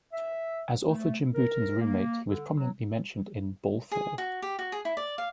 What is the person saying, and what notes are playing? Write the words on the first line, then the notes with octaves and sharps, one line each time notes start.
As author Jim Bouton's roommate, he was prominently mentioned in "Ball Four".
E5
A3
A#4
A#3
D3
F#3
G#4
F#4
G4
F#4
G#4
E4
D5
F5